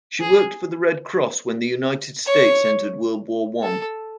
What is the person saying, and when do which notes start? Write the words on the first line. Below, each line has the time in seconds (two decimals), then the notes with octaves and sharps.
She worked for the Red Cross when the United States entered World War One.
0.20 G#4
2.26 C#5
3.63 A4